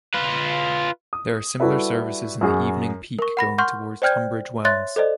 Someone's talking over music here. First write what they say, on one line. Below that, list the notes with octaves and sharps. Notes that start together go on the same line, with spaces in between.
There are similar services in the evening peak going towards Tunbridge Wells.
F4 B4
D#6
G3 E4 F#4 A4 B4 E5
F#2 F#4 G#4
A#4 C#6
F#5 B5 A#6
F#5 C6 C#6 F6 G6
C5 D5 G5 F6 G6 G#6
C#5 E5 C6 F#6 A6
A4 C5 D5 D#5